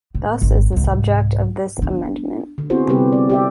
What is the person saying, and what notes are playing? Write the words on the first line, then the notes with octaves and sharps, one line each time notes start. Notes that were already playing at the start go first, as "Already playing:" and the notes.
Thus is the subject of this amendment.
A2
G#1
C2 G#2
B3 D4
D3
B3 C4 E4 F#4 G#4 C5
C3 G3 B3 C4 G4 B4
D5
G4 D5 E5